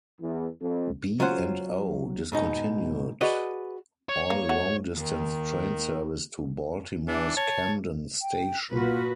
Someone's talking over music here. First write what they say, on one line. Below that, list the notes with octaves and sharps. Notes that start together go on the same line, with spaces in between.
B and O discontinued all long-distance train service to Baltimore's Camden Station.
E2
F2
F#3 C#4 F4 C5 F#5
G#2 B2 D#4
F#4 G#4 B4 D5 D#5
C#5
A#3
A3 F#4
D#2 D#3
E3 D4
C#5 A5
G5
A#2 F4 F#4 B4